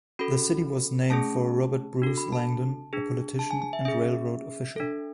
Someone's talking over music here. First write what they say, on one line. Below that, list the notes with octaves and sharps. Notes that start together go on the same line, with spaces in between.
The city was named for Robert Bruce Langdon, a politician and railroad official.
C#4 F#4 A4 B5
A3 C#4 G#4 A5
D4 F#4 A4
B5
A5
D4 G#4
A5
G#5
G#5
E5
C#4 G#4 E5
D4 A4